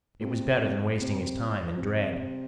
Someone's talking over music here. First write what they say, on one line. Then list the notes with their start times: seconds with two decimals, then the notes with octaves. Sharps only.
It was better than wasting his time in dread.
0.21 A#2
0.25 C3
1.01 C3
1.77 C3